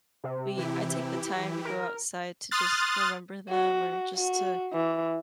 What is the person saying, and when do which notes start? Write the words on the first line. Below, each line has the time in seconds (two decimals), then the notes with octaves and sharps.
we I take the time to go outside to just remember them or just to
0.24 C3
0.57 E3 E4 G4
1.65 A#4
2.51 C6 D#6 F6 F#6 A6
3.49 F#4
4.17 F#4
4.73 E3